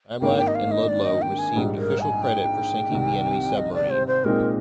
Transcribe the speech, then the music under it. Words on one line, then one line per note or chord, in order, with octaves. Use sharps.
"Niblack" and "Ludlow" received official credit for sinking the enemy submarine.
G#1 G2 D#3 A#3 D4 G5
G5
D#5
F5
D#5
D5
D#5
G5
G#5
A#1 G#2 G3
A#4
G#5
G5
C2 C3 D#3
D#5
D5
C5
C5
A#2 G#3 C4 D#4 A#4